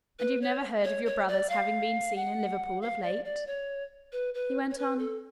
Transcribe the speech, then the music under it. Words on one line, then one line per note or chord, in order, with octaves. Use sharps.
"And you've never heard of your brother's having been seen in Liverpool of late?" he went on.
B4
C#5
C#5
C#5
D5
F5
F#5
F5
D5
D5
C#5
B4
B4
C#5
B4
A4